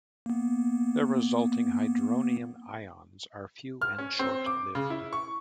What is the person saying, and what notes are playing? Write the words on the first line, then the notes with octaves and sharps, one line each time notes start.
The resulting hydronium ions are few and short-lived.
A#3 B3
F6
C#4
C4
D6
C#3
E4
C#6